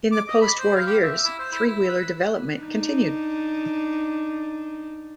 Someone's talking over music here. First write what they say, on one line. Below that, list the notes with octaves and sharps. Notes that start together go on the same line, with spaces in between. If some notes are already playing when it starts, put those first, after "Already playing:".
In the post-war years, three-wheeler development continued.
D6
D#5
B5
C5
F5
G4
E5
E4
C5
E4
E4
B4
D4 D#4